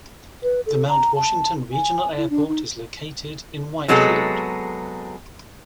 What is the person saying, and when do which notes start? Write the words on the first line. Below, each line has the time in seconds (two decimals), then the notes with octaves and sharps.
The Mount Washington Regional Airport is located in Whitefield.
0.43 B4
0.67 A4
0.89 A#5
1.16 A5
1.73 G#5
2.17 E4
2.30 D4
2.49 D#4
3.88 C3 F#3 G#3 B3 G#4 A4